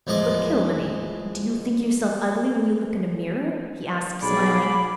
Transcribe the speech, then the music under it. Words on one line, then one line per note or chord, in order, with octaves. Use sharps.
"But, Kilmeny, do you think yourself ugly when you look in a mirror?" he asked smiling.
E2 F3 G#3 D#5 D6
B1 G#4 D5 B5